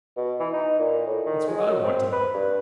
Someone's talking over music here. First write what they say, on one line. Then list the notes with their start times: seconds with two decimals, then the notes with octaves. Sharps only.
'That's what I want to know.
0.17 B2
0.40 E3
0.53 D#4
0.79 A#2
1.06 A2
1.26 D#3
1.47 G#3
1.66 F#2
1.84 C4
2.12 B4
2.34 G2